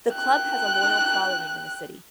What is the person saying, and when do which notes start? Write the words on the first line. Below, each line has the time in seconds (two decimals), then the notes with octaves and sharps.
The club has a loyal following in the city.
0.12 G5 F#6